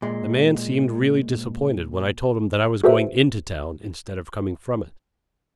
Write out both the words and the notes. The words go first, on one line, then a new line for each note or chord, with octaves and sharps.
The man seemed really disappointed when I told him that I was going into town, instead of coming from it.
A#2 G#3
F#4 G#4 A4 B4 C5 E5